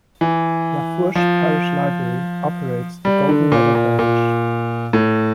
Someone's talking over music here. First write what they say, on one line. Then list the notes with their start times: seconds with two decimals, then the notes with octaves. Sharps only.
Lafourche Parish Library operates the Golden Meadow Branch.
0.21 E3
1.15 F3
3.05 G3
3.29 D3
3.52 A#2
3.75 A#2
3.99 A#2
4.93 A2